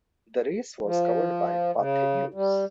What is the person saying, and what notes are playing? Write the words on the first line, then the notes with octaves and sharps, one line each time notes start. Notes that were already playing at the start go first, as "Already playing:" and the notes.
The race was covered by Pathe News.
F3
C#3
G3